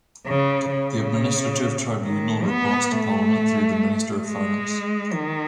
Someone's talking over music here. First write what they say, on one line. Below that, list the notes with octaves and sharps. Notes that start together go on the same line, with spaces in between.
The administrative tribunal reports to Parliament through the Minister of Finance.
C#3
C#3
D#3
B3
A3
G#3
D#3